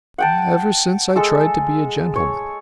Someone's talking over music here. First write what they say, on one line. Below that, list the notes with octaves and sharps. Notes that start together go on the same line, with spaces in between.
"Ever since I tried to be a gentleman."
F#5 G5 A5
G#3 A4 E6
C#5